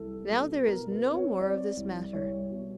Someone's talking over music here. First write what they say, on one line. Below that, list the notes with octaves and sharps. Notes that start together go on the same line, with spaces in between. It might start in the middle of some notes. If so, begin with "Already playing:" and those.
Now there is no more of this matter.
Already playing: C2 A4
B2
B2 A#4
B4
C4
C#5
C4 D5
C2
C2 C#5
B2